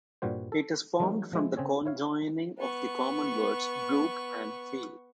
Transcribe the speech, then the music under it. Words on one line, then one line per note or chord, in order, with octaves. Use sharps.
It is formed from the conjoining of the common words "brook" and "field".
G2 A#2 G3 F#4 C5
A4
E3 F#3 G#3 A#3 C#4 D#4
F3 G#3 E4
C#3 C4 G#4 C#5
E4 C#5 F5
B3 C#6